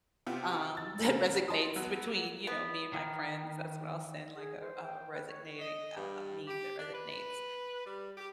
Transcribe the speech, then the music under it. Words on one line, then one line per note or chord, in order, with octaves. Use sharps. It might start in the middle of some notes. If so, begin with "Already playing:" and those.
um, that resonates between, you know, me and my friends, that's what I'll send, like, a a resonating a a meme that resonates.
C3 B3 F4 G4
E6 A6
G2 C#3 A#4 A#5
D#5 A5 C6 D#6
F#3 B3
B3
D#3
G#4
C5
G5
B4
C#5
D#5
G2
G4
D4
B4
G3
G4